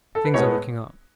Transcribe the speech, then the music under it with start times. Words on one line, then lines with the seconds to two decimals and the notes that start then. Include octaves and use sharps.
Things are looking up.
0.15 A4
0.25 B4
0.34 A2 G#3 B3 C#5